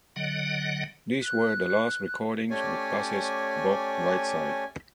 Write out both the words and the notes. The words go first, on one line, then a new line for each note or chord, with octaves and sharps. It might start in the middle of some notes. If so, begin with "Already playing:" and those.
These were the last recordings with bassist Bob Whiteside.
D3 F#3 D#5 F#5
F#6
A3 C#4 G4 C#5 D5 G#5